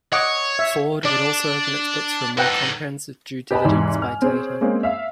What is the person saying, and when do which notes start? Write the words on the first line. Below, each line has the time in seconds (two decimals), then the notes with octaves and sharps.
Ford would also open its books for a more comprehensive due diligence by Tata.
0.12 C#5 D#5 F#5 D6
0.59 E5
1.05 D4 D5
2.38 D#4 A4 B4 F#5 G5
3.51 G4 B4 D#5 G#5 A5 B5
3.65 E2 G#2 C3 E3
4.00 G#5 F6
4.22 C4 G#4 C#5
4.61 G#3 A#3 C4 C#4
4.83 E5 F5